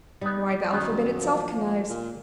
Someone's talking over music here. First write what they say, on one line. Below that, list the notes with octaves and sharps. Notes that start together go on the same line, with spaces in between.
Why, the alphabet itself connives.
G3 B3 D#4
F#2 D#3 B3 E5
F3 A#3
A#2